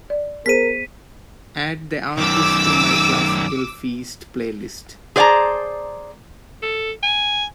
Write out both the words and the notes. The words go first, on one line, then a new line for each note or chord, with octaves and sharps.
Add the artist to my classical feast playlist.
D5
B3 G#4 A#4 C5 B6 D#7
F#2 D#3 D6 E6
G#4 C5 D5 F#5 A5 A#5
A4
G#5